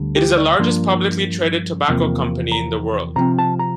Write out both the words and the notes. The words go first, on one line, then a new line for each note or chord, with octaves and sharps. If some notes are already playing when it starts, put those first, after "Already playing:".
It is the largest publicly traded tobacco company in the world.
Already playing: D2 D3 G3
G4
D5
G2 F3 A#3 D4 C6
E2 C3 F3 A#3
A#5
C3 F3 C4 A#5
A5
A#5